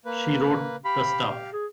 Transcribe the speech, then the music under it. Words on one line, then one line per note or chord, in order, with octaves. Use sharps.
She wrote the stuff.
A#3 B4
G4 F5 B5
G#4